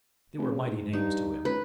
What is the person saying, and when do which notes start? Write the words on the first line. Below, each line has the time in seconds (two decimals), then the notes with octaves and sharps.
They were mighty names to him.
0.38 F1
0.52 C#3
0.67 G#2
0.93 G2 D#4
1.45 C#2 B4